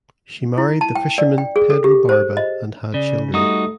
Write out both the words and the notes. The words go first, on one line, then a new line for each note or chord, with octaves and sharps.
She married the fisherman Pedro Barba and had children.
E4
A5
G5
D5
G5
G#4
A4
G4
C5
D#5
C#3 D5
G3 A3 D#4 F#4 D#6